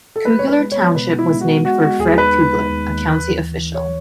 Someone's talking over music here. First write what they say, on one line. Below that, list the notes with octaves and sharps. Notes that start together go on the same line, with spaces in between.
Kugler Township was named for Fred Kugler, a county official.
A4
G#3 B4
B3 C#5
B4
G#3
C#5
B3
B2 B4
B3
E4
G#3
F#4
B3
G#3 F#4
G#3 F#4
D#2 G#4
D#4 B4
D#4
G#3
D#2
D#2
E3
D#2
E3
E3
C#5